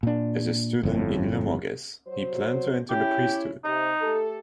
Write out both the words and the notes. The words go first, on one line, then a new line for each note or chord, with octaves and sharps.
As a student in Limoges, he planned to enter the priesthood.
A#2 D4
G1 F2 A2
F#3 C5
C#4 E4 G4
C3 D#4
A3 G4 A4